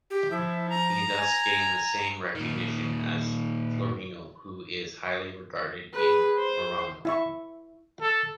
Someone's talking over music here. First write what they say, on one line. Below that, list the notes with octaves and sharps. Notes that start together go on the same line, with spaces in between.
He thus gained the same recognition as Florino, who is highly regarded in Murano.
G4
F3 E4
A#5
G#5
A#2 D#3
G#4 B4
C5
E4 E5 C#6
A4